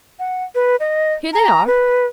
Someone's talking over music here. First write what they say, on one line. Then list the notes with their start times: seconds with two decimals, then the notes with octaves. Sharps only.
"Here they are."
0.19 F#5
0.55 B4
0.80 D#5
1.33 A#5
1.67 B4